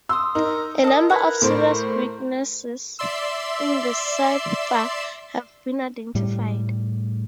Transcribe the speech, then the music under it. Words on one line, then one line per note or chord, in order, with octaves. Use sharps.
A number of serious weaknesses in the cipher have been identified.
C6 D#6 E6
D#4 A#4
A4 A#4 D#5
E4 B4 F#5
A2 C5 D5 A5
D5 E5 C6 E6
A2 G3